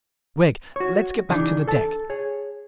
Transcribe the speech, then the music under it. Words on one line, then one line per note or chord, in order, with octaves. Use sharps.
"Gregg, let's get back to the deck."
F#4 C#5
C#3 E3 D4 D#4
A4 A5
G#4 C#5